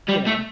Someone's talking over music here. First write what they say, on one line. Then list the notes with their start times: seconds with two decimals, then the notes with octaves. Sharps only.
You know?
0.08 G3
0.26 A3